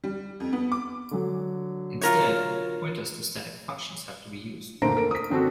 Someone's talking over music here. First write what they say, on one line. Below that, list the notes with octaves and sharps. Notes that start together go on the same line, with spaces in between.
Instead, pointers to static functions have to be used.
G3
F2
B3
D6
D3 F#3
F4 A#4 C#5
A#2 D3 A3 C5 A#5 D7
A4 A#4 D7
D#6 B6
D3 C4 D4 F#4 A4